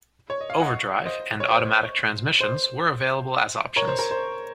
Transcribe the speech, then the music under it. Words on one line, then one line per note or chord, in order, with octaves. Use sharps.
Overdrive and automatic transmissions were available as options.
C#5
D#5
F5
D#5 F#5
C5 D#5
C#5
C5
C5
A#4 C#5
C5
A#4
C5